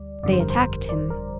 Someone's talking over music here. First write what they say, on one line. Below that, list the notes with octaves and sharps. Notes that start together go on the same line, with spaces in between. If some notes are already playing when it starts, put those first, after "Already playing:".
They attacked him.
Already playing: D2 G3 D5
G1 F2 D3 G3 D5
C5
A#4
C5
D5
A#4